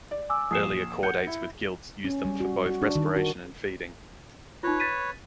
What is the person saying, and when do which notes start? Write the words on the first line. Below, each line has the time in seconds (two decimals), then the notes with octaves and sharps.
Earlier chordates with gills used them for both respiration and feeding.
0.11 D5
0.29 G#5 D6 E6
0.51 A#1 G#5 D#6 C7 E7
1.03 F#5 G6 C#7
1.27 E4
2.05 C#4
2.25 G3
2.40 F#4
2.66 F#4
2.82 D4
2.95 D#3
3.16 F#4
4.63 D#4 F4 B4 C#5
4.80 A6 B6 D#7